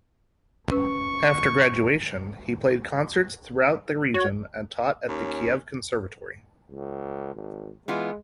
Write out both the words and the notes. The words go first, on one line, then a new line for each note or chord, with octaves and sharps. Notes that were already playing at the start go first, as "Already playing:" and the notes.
After graduation, he played concerts throughout the region and taught at the Kiev Conservatory.
C#4 B4 C#6 E6
F#4 C#5
D#2 C#4
C#2
G#1
E3 G#3 B3 F4